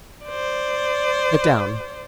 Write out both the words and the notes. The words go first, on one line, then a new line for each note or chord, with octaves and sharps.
"Get down."
C5 D5